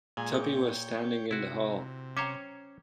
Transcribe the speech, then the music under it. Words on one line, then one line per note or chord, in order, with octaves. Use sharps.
Tuppy was standing in the hall.
A#2 G#3 G#4 G#5
G#4 A#4 C#5 G5 D#6
C3 E4 F#4
C#4 C5 C#5 G5 A#5 D6